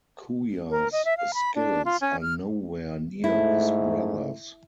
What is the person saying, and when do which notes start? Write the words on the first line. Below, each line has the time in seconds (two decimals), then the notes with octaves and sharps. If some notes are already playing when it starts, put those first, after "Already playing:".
Kouya's skills are nowhere near his brother's.
0.70 A#4
0.92 D#5
1.05 E5
1.17 F5
1.34 B5
1.55 D4
1.85 F4
2.01 C#4
2.22 F6
3.24 G#2 A3 E4